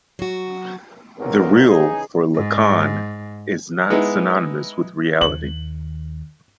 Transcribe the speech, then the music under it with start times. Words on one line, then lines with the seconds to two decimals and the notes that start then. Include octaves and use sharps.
The Real, for Lacan, is not synonymous with reality.
0.19 F#3 F#4
1.18 G#1 D#2 A#2 B3 C#4 A#4
1.67 C#3 E3 D#4 G#4
2.35 G#2
3.90 G#3 B3 D#4 E4
5.21 D#2 F#7